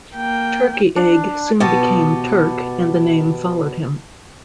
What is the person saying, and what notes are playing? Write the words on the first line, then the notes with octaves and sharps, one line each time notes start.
"Turkey Egg" soon became "Turk", and the name followed him.
A#3 G5
D4
B2 B3 G4 A5